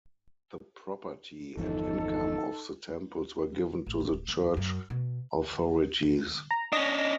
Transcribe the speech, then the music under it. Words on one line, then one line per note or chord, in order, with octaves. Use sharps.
The property and income of the temples were given to the church authorities.
G1 E2 F3 D#4 A4
A1
D1
A#3
D#2
F#2
B2
A#5
C#4 D4 D#5 A#6